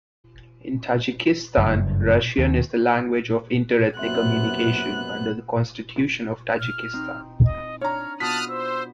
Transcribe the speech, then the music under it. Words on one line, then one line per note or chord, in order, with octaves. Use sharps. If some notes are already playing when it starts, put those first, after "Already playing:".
In Tajikistan Russian is the language of inter-ethnic communication under the Constitution of Tajikistan.
F#1 G2
D#2
F#2 C3 F#3 A#3 B3 E5 C6 F#6
F6
C4 D#4
D#5
D4 C#5 A#5 F6
B2 F4 A5 D#6 F6 F#6 B6
C5 E6